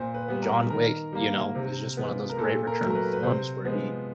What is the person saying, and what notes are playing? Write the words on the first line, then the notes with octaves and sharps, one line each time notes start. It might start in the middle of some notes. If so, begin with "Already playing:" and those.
John Wick, you know, was just one of those great return to forms where he
Already playing: A#2 C5
B4
G3 B3
A#4
D#3 A#4
G3 A#3
C3
F3 G#3 B3
A#4
A#2 A4
A#4
F#3 A3
A#4
B4
B4
C3 C5
F3 G#3 B3